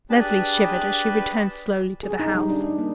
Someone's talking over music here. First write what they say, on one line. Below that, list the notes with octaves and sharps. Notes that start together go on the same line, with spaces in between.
Leslie shivered as she returned slowly to the house.
D4 G4 G#4 B4 A5 B5
G#4
D#4
G3
D4
D4
A#3